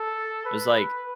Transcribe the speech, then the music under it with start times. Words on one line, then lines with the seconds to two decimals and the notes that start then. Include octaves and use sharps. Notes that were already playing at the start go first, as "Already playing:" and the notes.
it was, like
Already playing: A4
0.46 B4